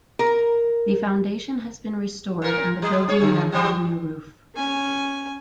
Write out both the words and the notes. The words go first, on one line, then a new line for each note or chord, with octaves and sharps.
The foundation has been restored and the building now has a new roof.
A#4
A#2 A#4
G3
C#4 G#4 C#5
D3
F#3 G3 C4
C#4 G#5